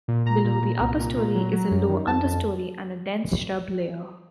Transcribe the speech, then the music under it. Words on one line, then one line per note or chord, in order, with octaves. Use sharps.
Below the upper story is a low understory and a dense shrub layer.
A#2
A#2 A#5
A#2
A#2
C2
A#2
A#2
F#3
F#3
F#2
D#3
F2 A5
F2